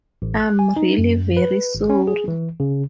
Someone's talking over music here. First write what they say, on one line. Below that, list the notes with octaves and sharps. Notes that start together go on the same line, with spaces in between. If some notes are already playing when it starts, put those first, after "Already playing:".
I’m really very sorry.
A1
F#6
G#5
D#4
F#2
B4
G#1
C#4
G#4
E3
C#3